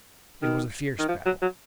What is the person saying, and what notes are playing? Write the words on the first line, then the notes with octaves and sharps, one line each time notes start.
It was a fierce battle.
D#3
D#3
F3
F#3
F#3